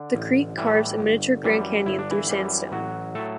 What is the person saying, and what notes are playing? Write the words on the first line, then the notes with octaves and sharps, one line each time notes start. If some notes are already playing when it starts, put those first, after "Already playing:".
The creek carves a miniature "Grand Canyon" through sandstone.
Already playing: D3 D4
A1
A2 E3 G3
G1
F#2 E3 G3
G1 E4
D4
E3 E4
F#2 E3 G3
A1 F#3 F#4
A2 F#3 A3 A4